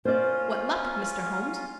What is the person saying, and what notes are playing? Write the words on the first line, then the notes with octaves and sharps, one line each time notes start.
"What luck, Mr. Holmes?"
C#4 F4 C5 D5